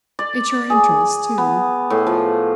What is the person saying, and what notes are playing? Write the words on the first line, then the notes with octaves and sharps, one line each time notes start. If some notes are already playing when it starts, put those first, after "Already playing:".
"It's your interest, too."
D5
G#4
B3
A2
F3